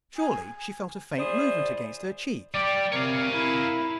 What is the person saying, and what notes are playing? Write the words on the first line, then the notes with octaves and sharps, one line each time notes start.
Surely she felt a faint movement against her cheek?
G#5
E4 G#4 C5 D5
G3 G4 D5
C3 A#4 C#5 F5
E4